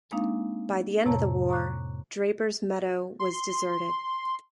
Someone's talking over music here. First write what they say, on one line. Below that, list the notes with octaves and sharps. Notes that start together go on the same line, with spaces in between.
By the end of the war, Draper's Meadow was deserted.
G#3 A#3 C4 D4 D#4 F5
F2 A2 C3 C#5 A5 A#5
A#5 C#6 D6 F#6
C6